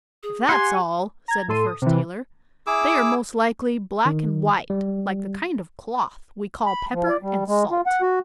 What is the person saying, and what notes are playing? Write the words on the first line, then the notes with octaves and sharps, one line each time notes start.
'If that's all,' said the first tailor, 'they are most likely black and white, like the kind of cloth we call pepper-and-salt.'
G#4
G4 F#5 G#5 C6
A#5 G#6
A2 A4 C6 D#7
D#6
C3 E3
E4 G#4 D6 E6
D#3
G3
B5
F3
D5
G3
G#3
F4
F#5
F#4